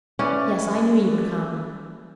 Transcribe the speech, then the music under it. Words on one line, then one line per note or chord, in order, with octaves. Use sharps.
Yes, I knew you would come.
C#4 E4 B4 D5